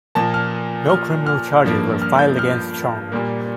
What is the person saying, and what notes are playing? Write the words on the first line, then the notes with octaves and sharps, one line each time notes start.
No criminal charges were filed against Chong.
A#2 F3 A#3 A5
F6
F6
F6
G2 F3 A#3
F6
G6
F6
A#2 G3 A#3